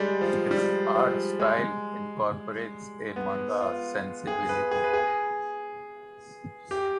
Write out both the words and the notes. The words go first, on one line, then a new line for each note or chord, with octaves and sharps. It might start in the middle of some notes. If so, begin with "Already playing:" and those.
His art style incorporates a manga sensibility.
Already playing: G3 G#3
F3
G3
F3
G#3
B3
F4
G#4
B4
G#4
B4
G#4
G4